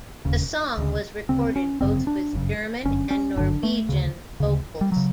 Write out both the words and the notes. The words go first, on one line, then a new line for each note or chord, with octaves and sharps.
The song was recorded both with German and Norwegian vocals.
E1 D#2 C#3
D2 C#3
D2 C#3 C4
C#4
G1 F#2 C#3 C4
D4
G1 F#2 C#3
G1 F#2 D3 C#4
C#4
G1 F#2 D3 D4
A3
D2 C#3
D2 C#3
G3
C#3 F#3